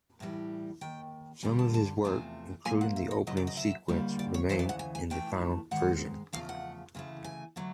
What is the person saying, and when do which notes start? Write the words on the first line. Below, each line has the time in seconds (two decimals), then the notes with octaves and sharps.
Some of his work, including the opening sequence, remain in the final version.
0.20 A2 E3 G3
0.81 D#2 D#3 G5
1.43 F2 D3 G3 G#5
1.59 A5
1.74 A5
2.04 E2 C3 F3 A3 G#5
2.65 A#2 F3 A#3 G#5
2.81 F#5
2.96 E5
3.11 D#5
3.27 D2 C#3 F#3 D#5
3.37 D5
3.47 D#5
3.57 E5
3.88 D#2 D3 G3 A#3
4.19 D5
4.34 C#5
4.49 D2 C#3 E3 C5
4.59 D5
4.69 F#5
4.79 G#5
4.95 G#5
5.10 A2 E3 A3 G5
5.71 G#2 D#3 G#3 F#5
6.33 E2 C#3 F3 A3 F5
6.49 F#5
6.95 D2 C#3 E3 A3
7.24 G#5
7.56 D3 F#3 A3